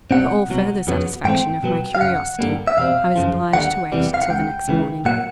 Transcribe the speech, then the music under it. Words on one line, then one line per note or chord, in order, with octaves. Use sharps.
For all further satisfaction of my curiosity, I was obliged to wait till the next morning.
C2 B2 G3 C4 F#5
C2 B2 F#3
F2 C#3 F#3 B3
G#2 E3 A3 C4 G5
B2 F#3 B3
F5
F#2 C#3 F#5
G2 D3 G3 A#3
E5
E2 B2 G3 C4 F5
F#2 C#3 F3
D#2 D3 G3 F#5
E2 C3 E3 G3
F5
F#5
C#2 C#3 G5
C#2 C#3 E3
A#2 F#3 A#3 F#5